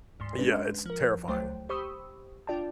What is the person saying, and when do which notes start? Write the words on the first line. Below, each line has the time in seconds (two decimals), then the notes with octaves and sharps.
Yeah, it's terrifying.
0.20 D2 G#2 C6
0.39 G#3 C#4 D4 B4
0.86 F3 A#4
1.28 C#2 F#3 A3 C5 G5
1.69 G4 C5 B5 C#6 D#6 E6
2.47 D4 F4 D5 G5 A5